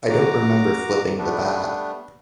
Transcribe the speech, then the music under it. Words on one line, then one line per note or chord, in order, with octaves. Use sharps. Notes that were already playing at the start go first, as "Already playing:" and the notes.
I don't remember flipping the bat.
F#4 A#5 D6
G3 A3 B3 D4